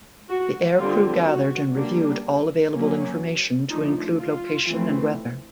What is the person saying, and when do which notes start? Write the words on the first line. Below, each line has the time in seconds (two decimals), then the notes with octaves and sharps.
The aircrew gathered and reviewed all available information to include location and weather.
0.29 F#4
0.78 D3 G3 C4 F4
1.26 F#4
1.75 D3 G3 A#3 D4
2.72 F#3 A#3 C#4
3.70 F3 A3 D4 D#4
4.18 F4
4.67 E3 A3 C4